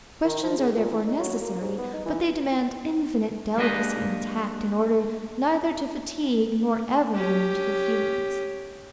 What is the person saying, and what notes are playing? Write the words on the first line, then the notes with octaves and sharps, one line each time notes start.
Questions are therefore necessary, but they demand infinite delicacy and tact, in order neither to fatigue nor ever wound the feelings.
D#3
F3
C#3
A#2
E3
D#4
F#3
A#3
G#2
B3
D#4
E3
G#3 A#3 D4 G4 B4 D#5
C#4 G4